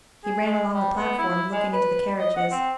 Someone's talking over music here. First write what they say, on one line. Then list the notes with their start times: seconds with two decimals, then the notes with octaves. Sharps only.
He ran along the platform, looking into the carriages.
0.24 G#4
0.45 G#3
0.73 G3
0.96 B3
1.18 E4
1.53 G#3
1.73 B4
2.19 D#5
2.36 F#5
2.51 C4